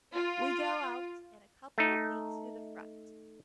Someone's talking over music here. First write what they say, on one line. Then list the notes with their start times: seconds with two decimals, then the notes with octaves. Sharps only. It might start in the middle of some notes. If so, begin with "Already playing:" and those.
We go out in a couple of weeks to the front.
0.13 F4
1.78 A3 D#4